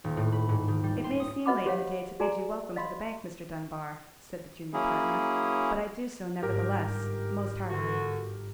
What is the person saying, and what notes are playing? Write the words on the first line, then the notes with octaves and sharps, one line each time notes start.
"It may seem late in the day to bid you welcome to the bank, Mr. Dunbar," said the junior partner, "but I do so, nevertheless--most heartily!"
D#1
A2
B5
G#2
D#3
G3
C6
D#6
F#4 B4 D#5 F#5 B5 D6
G4 C5 C#5 F5 F#5
F#4 G#4 D5 G#5 A#5
D#5 F5 B5 C6
F#3 A#3 C#4 E4 G#4
G1 G#2 G4 A#4
D3 F#4